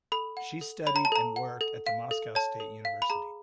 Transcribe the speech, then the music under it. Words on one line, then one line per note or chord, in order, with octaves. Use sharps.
She studied and worked at the Moscow State University.
A4 B5
F#5
A4
C#5 B5
A#5
A5
A4 A#5
F#5
A4
F5
A4
C#5 A5
A4
F5
B5
G#4 A#5